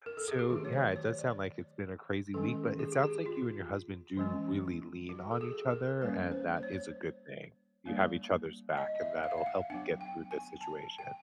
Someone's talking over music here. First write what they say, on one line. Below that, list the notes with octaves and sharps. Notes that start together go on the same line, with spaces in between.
So, yeah, it does sound like it's been a crazy week, but it sounds like you and your husband do really lean on each other, and that is a good thing. You have each other's back, and that'll help you get through this situation.
A#4
A4
G#4
G4
D#3 F#3 A3 F#4
C#5
C5
C#5
D5
D#3 G#3 C#4 A4
G#4
G4
G#4
F4
E3 G#3 C#4
F#4
A4
G#4
A#4
G3 A#3 C#4 B4
C5
C5
C#5
G3 A#3 D4
D#5
D#5
E5
F5
E5
F5
F#5
F#3 B3 D4 F#5
G5
G#5
A5
G5